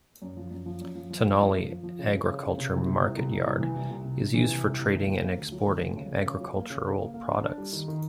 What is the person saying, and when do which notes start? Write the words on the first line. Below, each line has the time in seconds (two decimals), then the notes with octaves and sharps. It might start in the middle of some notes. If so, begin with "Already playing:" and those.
"Tenali Agriculture Marketyard" is used for trading and exporting agricultural products.
0.22 F#2
0.37 F3
0.51 F#2
0.66 F3
0.81 F#2
0.95 F3
1.10 F3
1.25 F3
1.40 F#2
1.55 F3
1.69 F3
1.83 F3
1.99 C#3
2.13 C#3
2.28 C#3
2.43 C#3
2.57 C3
2.72 C2
2.87 C3
3.02 C2
3.17 C2
3.31 C2
3.46 C2
3.61 E3
3.76 C2
3.91 C2
4.05 C3
4.20 C3
4.34 E3
4.49 C3
4.64 C2
4.79 C2
4.93 D2
5.08 A#3
5.22 A#3
5.37 D2
5.52 F#3
5.67 D2
5.82 D2
5.96 C#3
6.11 C#3
6.26 C#3
6.41 F#3
6.54 A#3
6.70 C#3
6.85 C#3
7.00 A#3
7.14 A#3
7.28 D4
7.43 D4
7.58 G3
7.72 D#3
7.88 D#3